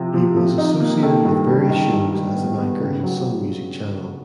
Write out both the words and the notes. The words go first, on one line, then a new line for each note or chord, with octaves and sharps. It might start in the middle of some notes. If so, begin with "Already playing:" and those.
He was associated with various shows as an anchor in "Sun Music" channel.
Already playing: C3 F3
F3
F3
D#4
A#3
D#3 A4
G2
G3
D#3
G2
G3
B3
B3
C#3
F#3